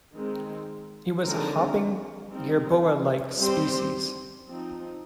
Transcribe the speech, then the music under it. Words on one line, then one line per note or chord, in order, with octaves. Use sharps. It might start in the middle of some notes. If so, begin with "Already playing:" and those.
It was a hopping, gerboa-like species.
D#3 G#3 C4
D3 G#3 C4 D#4 A#4
G3 C4 D#4 A#4
G3 C4 G4 C5
F3 C4 D#4